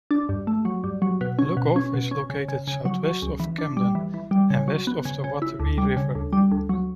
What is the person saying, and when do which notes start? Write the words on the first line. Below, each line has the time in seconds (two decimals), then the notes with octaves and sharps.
Lugoff is located southwest of Camden, and west of the Wateree River.
0.11 D4
0.29 G2
0.47 A3
0.65 F#3
0.84 G2
1.02 F#3
1.21 B2
1.39 C#4
1.57 B2
1.76 C#4
1.94 B2
2.11 C#4
2.30 C#3
2.48 C#3
2.67 C#3
2.85 F#3
3.04 F#3
3.22 C#2
3.40 E3
3.58 D4
3.77 G3
3.95 E3
4.14 E3
4.31 G3
4.50 C#3
4.68 F#3
4.87 B3
5.05 C#3
5.24 C#3
5.42 E4
5.60 D2
5.78 G3
5.97 C#3
6.15 D2
6.33 G3
6.51 D2
6.69 F#3